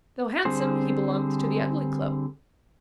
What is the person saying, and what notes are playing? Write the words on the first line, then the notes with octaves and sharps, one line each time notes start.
Though handsome, he belonged to the Ugly Club.
D3 G3 C4 G#4 C5